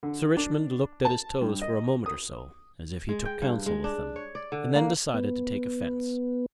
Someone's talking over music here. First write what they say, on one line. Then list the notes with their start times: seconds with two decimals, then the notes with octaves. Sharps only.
Sir Richmond looked at his toes for a moment or so as if he took counsel with them and then decided to take offence.
0.03 D3
0.37 D4
1.05 A5
1.41 G2
1.61 D#5
2.06 D#6
3.09 G#3
3.25 G5
3.42 G2
3.66 G#3
3.84 D4
4.16 C#5
4.35 D5
4.52 D3
4.75 A#3
5.14 B3